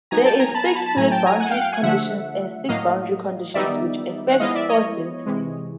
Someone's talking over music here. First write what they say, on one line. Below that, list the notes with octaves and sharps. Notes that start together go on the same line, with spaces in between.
There is stick-slip boundary conditions and stick boundary conditions which effect force density.
F#3 B3 D#4 G#5 A#5
G5 A5
G#5 A#5
A5 B5
G#5 A#5
A5 B5
A5 B5
A2 F#3 A3 G#5 A#5
G5 A5
G#5 A#5
F#5 G#5
F5 G5
F#5
F5 G5
F#5 G#5
D3 F3 A3 E5 F#5
A2 F#3 A#3 D#5 F5
D#3 G3 B3 D#4 D5 E5
F#5
F3 G#3 B3 E4 D#5 F5
D5 E5
C#5 D#5
C3 E3 G#3